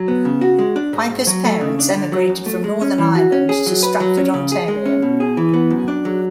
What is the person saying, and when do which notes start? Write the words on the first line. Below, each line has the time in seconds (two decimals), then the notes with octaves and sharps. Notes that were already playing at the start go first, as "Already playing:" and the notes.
Pyper's parents emigrated from Northern Ireland to Stratford, Ontario.
Already playing: F#3
0.08 B3
0.25 C#3
0.41 F#4
0.59 G#3
0.76 D4
0.93 G#2
1.10 G#2
1.27 F#3
1.44 A3
1.61 C#3
1.79 D4
1.96 D3
2.12 F#3
2.29 F#2
2.46 A3
2.64 G#3
2.81 C#4
2.98 E3
3.15 F#4
3.32 C#4
3.49 G#4
3.66 F#3
3.83 B4
4.00 F#3
4.17 C#4
4.34 C#3
4.52 G#4
4.68 G#3
4.86 C#4
5.02 B2
5.20 G#4
5.37 E3
5.54 B3
5.70 F#2
5.88 D4
6.05 F#3